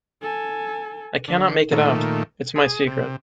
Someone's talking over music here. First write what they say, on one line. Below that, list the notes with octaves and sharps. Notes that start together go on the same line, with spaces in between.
I cannot make it out.’ ‘It’s my secret'.
A4 G#5
D3
A#2 D#3 A3
G#4
C3